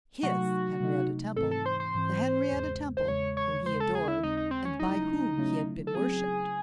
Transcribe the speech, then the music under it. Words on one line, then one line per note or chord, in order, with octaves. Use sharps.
His Henrietta Temple, the Henrietta Temple whom he adored, and by whom he had been worshipped!
C3 F#3 A3 D#4 F#4
C3 F#3 A3 D#4
G#2 E3 C4 A4
A4
C5
C5
G#2 E3 C4
E2 C#3 G#3
C5
E2 C#3 G#3 C#5
C#5
D#2 C#3 G#3 C4 C5
A4
G#4
E4
D#2 C#3 G#3 C4 D#4
D#4
C4
C#4
C#3 F#3 A3 C#4 D#4 E4
C#3 F#3 A3 C#4 E4
A4
C#3 F#3 C4 G#4